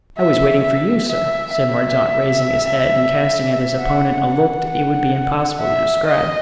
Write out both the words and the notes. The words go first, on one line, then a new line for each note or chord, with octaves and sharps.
"I was waiting for you, sir," said Mordaunt, raising his head and casting at his opponent a look it would be impossible to describe.
E5
E5
E5
E5
F#5
F#5
E5
D#5